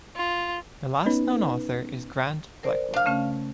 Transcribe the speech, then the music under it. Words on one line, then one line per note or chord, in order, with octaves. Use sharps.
The last known author is Grant Blackwood.
F4
B3 C#4 D#4 B4
A#4 C5 D5
D4 F5
C#3 A3 C#4